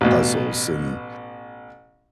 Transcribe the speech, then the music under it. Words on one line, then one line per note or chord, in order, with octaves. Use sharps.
puzzles and
A1 B2